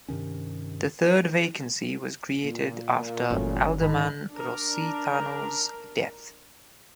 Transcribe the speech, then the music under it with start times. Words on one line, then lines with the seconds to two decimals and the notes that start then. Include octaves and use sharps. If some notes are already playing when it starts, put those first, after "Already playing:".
The third vacancy was created after Alderman Rositano's death.
0.08 G2 C3 D#3 C#4
2.44 A#2
2.93 A#3
3.30 G1 E3 F#3 A3 C#4
3.81 G#1 D#3 D#4 A4 B5
4.31 D4 A#4